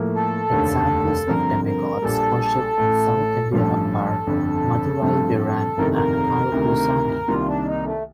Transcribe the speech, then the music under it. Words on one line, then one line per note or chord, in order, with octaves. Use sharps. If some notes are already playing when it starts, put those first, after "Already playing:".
Examples of demigods worshiped in South India are Madurai Veeran and Karuppu Sami.
Already playing: A2 F3 A#3
A4
F1 D#2 D3 A3
G2 D3 F3 C4 A#4
A#4
A#1 A#2 G3 A4
A1 A2 A3
A1 G2 F3 A3 A4
G1 F2 D3
G2 F3 A3 C4
G1 F2 C3 D#3 A3 A#4
A#4
D2 C3 D#3
C2 C3 D#3 A#3 F4
D4
D#4
A3